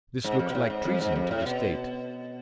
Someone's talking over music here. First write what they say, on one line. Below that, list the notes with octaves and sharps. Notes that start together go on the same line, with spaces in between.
This looks like treason to the state.
G#2
F2
B2
A2
G#2
F2
G#2
F2
A2
B2